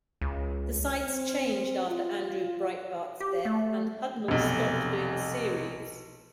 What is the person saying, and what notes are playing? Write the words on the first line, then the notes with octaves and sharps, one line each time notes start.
The sites changed after Andrew Breitbart's death and Hudnall stopped doing the series.
C#2
C4
F4
G4
A3
F1 B1